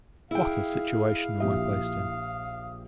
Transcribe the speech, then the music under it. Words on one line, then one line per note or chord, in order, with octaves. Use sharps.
What a situation am I placed in!
E4 G#4 F5 G5
A#1 G4 E5 D#6